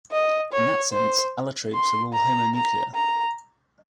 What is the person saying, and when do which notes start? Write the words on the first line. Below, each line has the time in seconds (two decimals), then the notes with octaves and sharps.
In that sense, allotropes are all homonuclear.
0.12 D#5
0.52 C#5
0.92 C5
1.73 C6
2.13 A#5
2.54 A#5
2.95 A#5